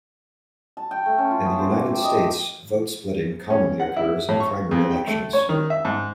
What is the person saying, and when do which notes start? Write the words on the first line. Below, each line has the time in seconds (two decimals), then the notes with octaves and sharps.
In the United States vote splitting commonly occurs in primary elections.
0.77 A5
0.91 G5
1.06 A3
1.18 C#4
1.31 F4
1.45 B3
1.59 C5
1.74 D6
1.89 G4
2.04 D#5
2.17 D#5
3.50 C#4
3.80 F#5
3.96 E4
4.29 A2
4.40 C#6
4.71 F2
4.91 G5
5.07 A3
5.33 C#5
5.49 D#3
5.70 E5
5.85 G#2